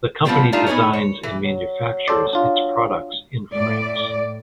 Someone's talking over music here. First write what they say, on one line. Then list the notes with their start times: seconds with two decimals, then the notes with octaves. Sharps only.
The company designs and manufactures its products in France.
0.25 F3 G3 A3 B3 C4 G4
0.52 G3 A3 D4 D#4 F4
0.67 B3 D#4 G#4 B4 C#5
0.93 C#5
1.23 E3
1.44 F#3
2.08 A4 C5 D5
2.33 D4 F4
3.54 A2 D5